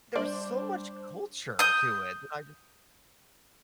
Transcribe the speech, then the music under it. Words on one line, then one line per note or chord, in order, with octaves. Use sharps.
there was so much culture to it that I just
G3 D4 C5 D5
D#6 G6